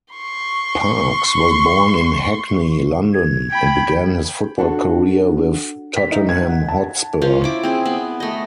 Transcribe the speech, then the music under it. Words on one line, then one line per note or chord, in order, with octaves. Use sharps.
Parks was born in Hackney, London, and began his football career with Tottenham Hotspur.
C6 C#6
G#6
G5 B5
D4 F#4 A4
B6
D#4
G#6
F#5
A5
C#4 F4 C5
E4 D6
C4 G#4
B3
A3 D#5